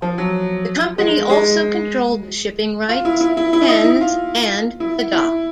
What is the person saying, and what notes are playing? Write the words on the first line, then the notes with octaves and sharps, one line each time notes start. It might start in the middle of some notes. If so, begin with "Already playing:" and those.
The company also controlled the shipping rights, pens and the dock.
F3
F#3
G#3
G#3
F4
E4
E4
E4
E4
D#4
E4
F4
E4
E4